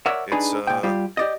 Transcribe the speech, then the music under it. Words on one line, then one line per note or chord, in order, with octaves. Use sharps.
it's a
A#4 C#5 D5 E5 F#5
D4 D#4 G#4 B4 B5
A#2 G5
G3 F4 G4
G4 D5 D#5